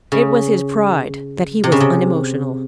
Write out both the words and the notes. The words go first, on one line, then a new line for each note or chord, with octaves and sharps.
It was his pride that he was unemotional.
C#3
C3
C#3
C3